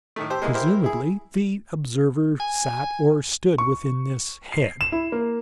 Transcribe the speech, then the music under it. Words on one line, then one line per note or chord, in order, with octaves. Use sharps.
Presumably, the observer sat or stood within this "head."
A2 D#3 A3
G4 C5 A5 E6
G#3 A#3 B3 E4
E4 G4 A#4 C5
E4 G#4
G#5
C#6
C7
E7
E4
A#3